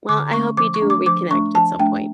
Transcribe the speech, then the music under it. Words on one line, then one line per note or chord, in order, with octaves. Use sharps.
Well, I hope you do reconnect at some point,
D3 D6
A3 C#4 C#6
F3 D6
C#6
A3 D4
D6
F3 D6
A3 D4 C#6
F3 A5
A3 D4 G5